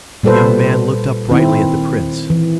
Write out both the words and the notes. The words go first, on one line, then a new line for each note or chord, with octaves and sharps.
The young man looked up brightly at the Prince.
A#2 G3 F4 A4 B4 C5
D#3 C4 E4
E3